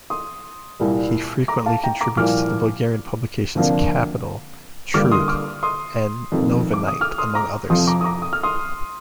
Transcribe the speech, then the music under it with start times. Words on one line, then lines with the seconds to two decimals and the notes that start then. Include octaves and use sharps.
He frequently contributes to the Bulgarian publications "Capital", "Trud" and "Novinite", among others.
0.10 C6 D#6
0.80 C2 A#2 G3
1.48 A#5 D6
1.66 F5 A5
1.84 G5 A#5
2.01 A#5 D6
2.17 C2 A#2 F3 D6 F6
3.55 D2 C3 F3 A#3 D4
4.94 G1 G2 D3 G3 A#3 D6 F6
5.11 C6 D#6
5.28 D6 F6
5.63 C6 D#6
6.32 F1 F2 C3 D#3
6.74 D6
6.88 D#6
7.01 D6 F6
7.18 C6 D#6
7.35 A#5 D6
7.70 F2 C3 F3 C6 D#6
7.87 A#5 D6
8.01 D#6
8.04 A#5 D6
8.22 D#6
8.33 F6
8.43 C6 D#6